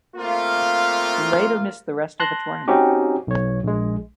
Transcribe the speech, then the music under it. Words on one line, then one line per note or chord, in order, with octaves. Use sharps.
He later missed the rest of the tournament.
A3 A#3 C4 F4
A5 C6 F#6 A#6
C4 C#4 D#4 F#4 G4
B1 C#5
A#1 G#3